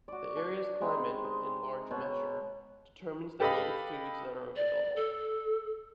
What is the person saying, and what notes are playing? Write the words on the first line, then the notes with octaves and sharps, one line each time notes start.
The area's climate, in large measure, determines the native foods that are available.
F#4 D5
D4
G#3 B3 D#4 G4
C4
D#5
B2 C#5
G4 A4 B4 D#5 F5 B5
D5
A4